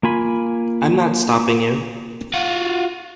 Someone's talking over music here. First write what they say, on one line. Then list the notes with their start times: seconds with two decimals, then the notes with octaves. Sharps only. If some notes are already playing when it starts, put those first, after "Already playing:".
I'm not stopping you!
0.03 A#3 F4 G#5 B5
2.34 F4 F#4